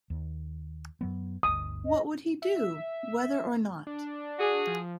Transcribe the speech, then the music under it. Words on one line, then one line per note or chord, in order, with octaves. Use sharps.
What would he do, whether or not?
D#2
F#2 F#3 B3
G1 D2 D#6
D#5
E5
D4
F#4 G#4
F3